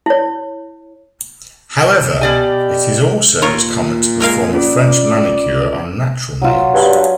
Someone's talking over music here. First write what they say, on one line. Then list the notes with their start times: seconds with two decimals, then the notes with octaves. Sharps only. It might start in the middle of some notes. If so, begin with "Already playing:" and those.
However, it is also as common to perform a French manicure on natural nails.
0.06 E4 C#5
2.21 B2 G4 D5 G#5
3.42 A#2 F4 A#4 C#5
4.20 G#3 A#3 A#4 F5
4.53 C#4 F4 D5
6.42 F#3 F4
6.74 G2